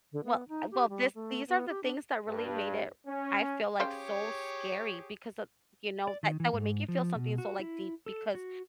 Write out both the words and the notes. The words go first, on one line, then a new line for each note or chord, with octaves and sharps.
well, uh, well, this these are the things that really made it I feel, like, so scary because of, you know that that would make you feel something so, like, deep, because
D3
B3
D#4
G4
G3
A3
B3
G4
D4
G2
C#4
C#3 G4 G#4 C5 C#5 G5
D5
D#3
E3
G#2
F3
B2
F#4
E4
A4
F#4